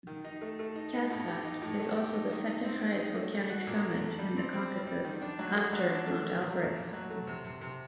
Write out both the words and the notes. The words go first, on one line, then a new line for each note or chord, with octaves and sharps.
Kazbek is also the second-highest volcanic summit in the Caucasus, after Mount Elbrus.
D#3
D#4
A3
A3
D#4
D#4
A2
G4
D#4
A2
A3
G4
D#4
D#3
D#4
C4
D#3
D#4
A3
A3
F#4
A#2
A3
A3
G3
C4
C4
G3
G3
D#3
D4
F#3
A3
F#3
D4
A3
A3
A#2
A3
A#2
F#3
A3
C3
C3
C3